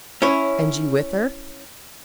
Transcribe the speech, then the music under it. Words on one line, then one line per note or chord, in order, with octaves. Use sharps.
"And you with her?"
C#4 E4 C#5